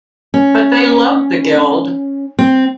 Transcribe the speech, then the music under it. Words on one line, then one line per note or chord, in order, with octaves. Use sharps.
But they loved the Guild.
C#4
C4